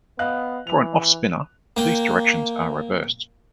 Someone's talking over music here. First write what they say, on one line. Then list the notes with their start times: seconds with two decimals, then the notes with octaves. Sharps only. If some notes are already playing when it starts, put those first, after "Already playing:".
For an offspiner, these directions are reversed.
0.19 B3 D#5 F5 F#6
0.67 E3 F7
1.77 A#3 G5